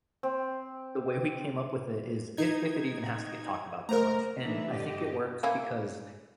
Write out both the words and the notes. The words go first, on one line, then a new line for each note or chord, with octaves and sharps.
the way we came up with it is, if if it even has to get talked about that much, and I think it works because
C4
D#4 G#6
A3 A#4 C5 A#5
E3 A3 D4 D#4 E5
G2 D3 G4 D#5
A#3 C#4 E4